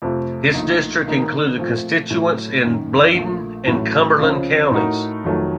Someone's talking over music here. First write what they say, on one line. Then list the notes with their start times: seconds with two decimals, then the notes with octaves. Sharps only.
His district included constituents in Bladen and Cumberland counties.
0.02 F2 C3 F3 A3
0.54 A#1 A#2 A3 D#4
1.06 D#3 A#3 D#4 A#4
1.58 A#2 F3 A3 C4
2.10 A2 F#3 A3
2.63 F#2 D#3 A#3
3.14 A#1 A#2 A3
3.67 A1 A2 F#3 A3
4.19 C#2 C#3 F3 C4
4.71 A2 A3 D#4 F#4 A#4
5.24 F1 F2 D#3 F#3 A3